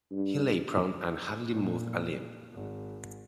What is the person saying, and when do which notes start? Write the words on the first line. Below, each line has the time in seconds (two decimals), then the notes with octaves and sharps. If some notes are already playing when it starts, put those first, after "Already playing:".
He lay prone and hardly moved a limb.
0.12 G2
1.49 A#2
2.53 G#1